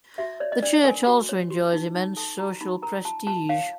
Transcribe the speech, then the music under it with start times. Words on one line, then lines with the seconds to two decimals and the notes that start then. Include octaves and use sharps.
The Church also enjoys immense social prestige.
0.18 F#4 E5
0.40 C#5 D5
0.52 D#5
0.63 D4 D5
0.84 A#4 G#5
1.07 F#4
1.29 C#5
1.50 F#4
1.73 D#4
1.95 D#4
2.17 A4 A5
2.39 F#4 A#5
2.61 D#4 B5
2.82 A#4 A#5
3.05 F4 A5
3.27 F4 A5
3.49 C#5 F5